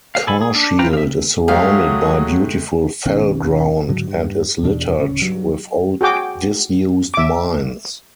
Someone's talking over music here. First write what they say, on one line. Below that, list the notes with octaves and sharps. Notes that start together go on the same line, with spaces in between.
Carrshield is surrounded by beautiful fell ground and is littered with old disused mines.
F5
A4 G#5 B5
G#4
D4
F4 B4 C5 G5 A#5
E5 F5
F#3 G#3 A3 G4 F5 D#6
B1 D#3 B3 C#4
G#2 D3 F#3
G2
E2 B2 D4
D1 C#3 C#4
G2 F#3
F#4 G#4 G5 D6
E5 D6